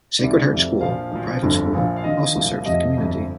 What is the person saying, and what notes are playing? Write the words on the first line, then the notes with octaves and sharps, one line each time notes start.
Sacred Heart School, a private school, also serves the community.
C2 C3 D#3 D5
F1 F2 C3
A#1 A#2 F3 F5
A#1 A#2 F3
G1 F2 D3
A#1 A#2 F3
F5
D#2 D3 F3 D#5
C2 A#2 F3
F1 F2 C3 F3 D#5
G1 F2 C3